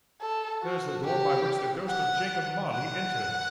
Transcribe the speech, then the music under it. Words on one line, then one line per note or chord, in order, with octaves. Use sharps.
'There's the door by which the Ghost of Jacob Marley entered!
A4
F#4
G4
F#5
F#5